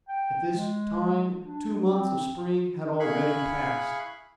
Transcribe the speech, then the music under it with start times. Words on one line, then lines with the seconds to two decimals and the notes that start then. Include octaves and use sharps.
At this time two months of spring had already passed.
0.08 G5
0.50 G#3
1.44 D4
1.90 C4
3.00 E4 G#4 F5 B5 C#6 F#6